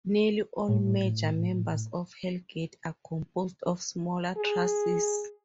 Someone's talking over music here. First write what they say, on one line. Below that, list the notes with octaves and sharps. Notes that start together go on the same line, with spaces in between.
Nearly all major members of Hell Gate are composed of smaller trusses.
A2
G#4